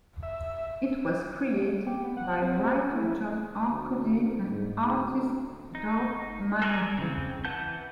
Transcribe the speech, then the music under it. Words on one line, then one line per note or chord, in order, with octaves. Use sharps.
It was created by writer John Arcudi and artist Doug Mahnke.
E5
G4
B3
F#5
C4
C#4
E4
D2
G#2
D2
D#4
A4 A#4 D5 G#5
C#3 C4
E3 B4 F#5 A5 G6